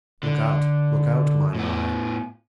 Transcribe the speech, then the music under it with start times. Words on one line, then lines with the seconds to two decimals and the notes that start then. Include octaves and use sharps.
Look out, look out, mine eye!
0.23 D3
1.55 A2 B3